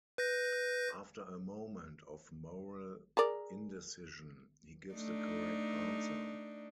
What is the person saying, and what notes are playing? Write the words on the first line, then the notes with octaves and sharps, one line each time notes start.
After a moment of moral indecision, he gives the correct answer.
B4 G6 A#6
G#4 A#4 D5
A3 D4 D#4